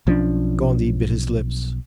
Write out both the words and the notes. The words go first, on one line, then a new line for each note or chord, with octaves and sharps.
Gondy bit his lips.
B1 F3 C#4 D4